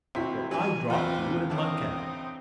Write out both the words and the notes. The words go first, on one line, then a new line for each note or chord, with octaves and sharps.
For I dropped you in my cab.
G#1 C4 E4 F#4 B6
E3 F#3 G#5
E2 C4 F4 B4 C5 F5
D3 E3 C4 D#4 C#5 A5